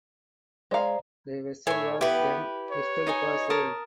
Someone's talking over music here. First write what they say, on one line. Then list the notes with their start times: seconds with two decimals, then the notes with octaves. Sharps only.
The vessel was then listed for sale.
0.71 G#3 C5 D5 F5 A#5
1.67 A2 C#5 E5 G#5
2.01 B3 E4 G4 B4
2.71 C#5
3.07 D#4 D#5 G#5
3.50 A#4 A5 D#6